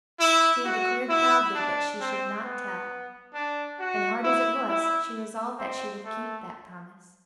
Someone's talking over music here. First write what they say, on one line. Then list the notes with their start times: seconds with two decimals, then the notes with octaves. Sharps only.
She had declared proudly that she should not tell, and hard as it was she resolved that she would keep that promise.
0.20 E4
0.65 F#4
1.09 E4
1.55 D4
2.00 C4
2.44 B3
3.34 D4
3.79 F#4
4.24 E4
4.69 E4
5.58 C4
6.04 A3